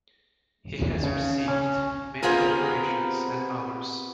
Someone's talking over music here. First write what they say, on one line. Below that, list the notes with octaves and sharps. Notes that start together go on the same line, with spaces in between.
He has received many decorations and honours.
C#3
C#4
B3 C4 F4 G4 G#4 A#4